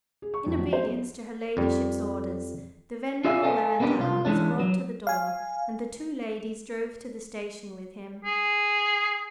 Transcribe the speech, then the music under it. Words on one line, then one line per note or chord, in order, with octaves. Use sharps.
In obedience to her ladyship's orders, the venerable landau was brought to the door; and the two ladies drove to the station with him.
G#4
C#6
F2
F#3
C5
B3
F2 G3
F4 G#4 D5 E5 F5 G#5
A4 D#5 F5 F#5 G#5
A#3 B3 C#4 D4 G4
C2 F4
E3 G#3 C#4 D4
F#3
F5 G#5
G#4